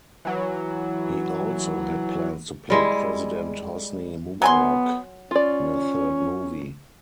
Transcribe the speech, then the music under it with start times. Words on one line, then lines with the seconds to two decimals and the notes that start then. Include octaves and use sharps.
He also had plans to play president Hosni Mubarak in a third movie.
0.25 E3 F#3
2.70 G3 G#3 E4
4.42 F#3 B3 G#5 C6
5.31 C#4 F4 D5